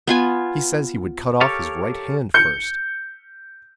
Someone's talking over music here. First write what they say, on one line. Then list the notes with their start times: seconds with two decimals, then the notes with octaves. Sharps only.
"He says he would cut off his right hand first."
0.07 B3 F4 G#5
1.41 G4 A4 A#4 C#5 F5
2.34 G6 C#7